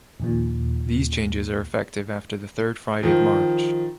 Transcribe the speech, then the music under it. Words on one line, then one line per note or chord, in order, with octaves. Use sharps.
These changes are effective after the third Friday of March.
A#1 D#2 A#2
D#3 F3